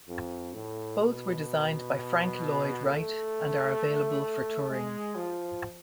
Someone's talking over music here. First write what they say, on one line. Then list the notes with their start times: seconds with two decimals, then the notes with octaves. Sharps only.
Both were designed by Frank Lloyd Wright and are available for touring.
0.08 F2
0.53 A2
1.00 B2
2.85 A3
4.69 G#3
5.15 F3